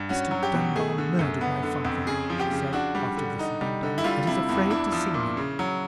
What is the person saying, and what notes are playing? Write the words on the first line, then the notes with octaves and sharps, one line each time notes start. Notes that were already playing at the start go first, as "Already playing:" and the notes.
"Mr. Dunbar murdered my father!" she said, after this had been done; "and he's afraid to see me!"
Already playing: G2
C#4 F#4
F#3
G4
B2
A3 G#4
D3
F#2
B3
D3
F2
C#3 G#4
F3
G4
C#3
D4 F#4
G3
D3
D#4
G3
D3
E4
G3 F4
C3 E4
E2 E4
D4 E4
F3
A#2
C#3
F#3